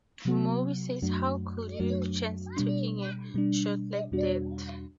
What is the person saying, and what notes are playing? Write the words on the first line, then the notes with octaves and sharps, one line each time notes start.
Moe says, How could you chance taking a shot like that?
C3 F#3 B3 F#4
F#2 F#3 A3 D4 F#4
F#2 F#3 A3 D4 F#4
B2 G3 D4
B2 G3 D4
E2 B2 G3 D4 F#4